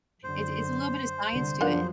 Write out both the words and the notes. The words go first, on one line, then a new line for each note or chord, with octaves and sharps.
It's it's a little bit of science to it.
F#2 D3 F#3 C5
C2 D3
F2 F3 F#3 A#3 B3 D4 F#5